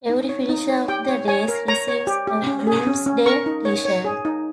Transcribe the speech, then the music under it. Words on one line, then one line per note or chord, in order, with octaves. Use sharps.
Every finisher of the race receives a Bloomsday T-shirt.
D#4
C#5
D#4
C#5
G4 G5
C#5
C#5 G#5
A#4
C#5 A#5
C#5
G4
G4
C#4
G#4
C#4
C#4
A#4 C#6
D#4
C#5
C#5
G#4
D#4